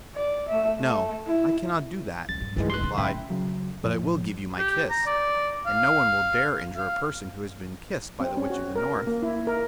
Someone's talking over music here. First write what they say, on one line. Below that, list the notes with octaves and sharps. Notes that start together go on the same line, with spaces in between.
"No, I cannot do that," she replied, "but I will give you my kiss, and no one will dare injure a person who has been kissed by the Witch of the North."
D5
A3 E5
A3
E4
C#2 A6
G2
G2 D#3 E3 G#3 A3
C6 F#6
D3 D#4
F#2 E5 G5 B5
C#3 F#3
F2 A2 F3
G4
A#5
D5
F5
F5
C4
C#4
F#4
A#4
A#3
E4
A#4